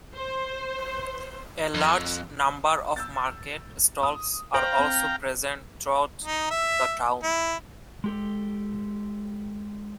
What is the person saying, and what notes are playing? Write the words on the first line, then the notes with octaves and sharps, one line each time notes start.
A large number of market stalls are also present throughout the town.
C5
F2
E6 G6 A6
D#6
C5 F5 G5 A#5 D7 F#7
C4
D#4
E5
E4
G#3 G4 A4